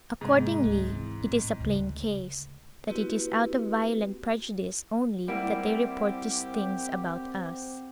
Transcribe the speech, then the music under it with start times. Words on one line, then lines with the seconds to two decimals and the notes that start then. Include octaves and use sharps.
Accordingly, it is a plain case, that it is out of violent prejudice only that they report these things about us.
0.21 G#2 C3 A#3
0.63 C#2 C#4
0.88 E3 C4
1.21 A2
1.60 D2 C#3
2.87 A#3 C4 E4 F#4 G4 B4
5.28 G3 A#3 C4 E4 G4 F#5 D7